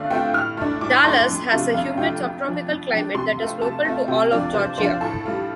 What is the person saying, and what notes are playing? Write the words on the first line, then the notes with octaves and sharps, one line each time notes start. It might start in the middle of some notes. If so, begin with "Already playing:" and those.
Dallas has a humid subtropical climate that is local to all of Georgia.
Already playing: D3 A3 C4 F4 D5 F5
A3 C4 F4 G5
A2 F6
A3 D4
A2 D6
A3 D4 C6
F2
C3 A3 D4 F4
F2 F5
C3 A3 D4 F4 G5
F2
F3 D4
F2
F3 D4 G5
C3 C6
A3 C4 F4
C3 A5
A3 C4 F4
C3 G5
F3 D4 F4 D5
C3 C5
F3 D4 F4 C5
A2 A4
G3 F4